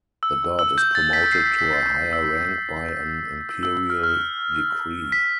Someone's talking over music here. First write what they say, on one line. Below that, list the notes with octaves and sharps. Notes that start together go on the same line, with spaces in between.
The god is promoted to a higher rank by an imperial decree.
E6
E6
G6
A6
B6
C7
B6
B6
A6
G6
E6
E6
E6
E6
F6
F6
B6